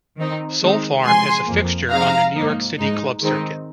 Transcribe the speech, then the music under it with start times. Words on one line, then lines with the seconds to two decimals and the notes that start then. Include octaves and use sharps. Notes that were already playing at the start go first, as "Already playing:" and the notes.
Soulfarm is a fixture on the New York City club circuit.
0.17 D#3 C4 D#4
0.61 D#3 G#3 C4 D#4
1.04 C3 F3 G#3 G#5 C6
1.47 F2 F3 A#3
1.91 C3 F3 G#3 C4 D#4 F5 A#5
2.35 G#2 F3 A#3 D#4
2.78 G#2 G#3 D#4
3.22 D#3 G#3 C4 D#4